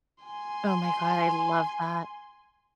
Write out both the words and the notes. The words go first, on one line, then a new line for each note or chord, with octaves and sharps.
Oh my god. I love that.
G#5 C6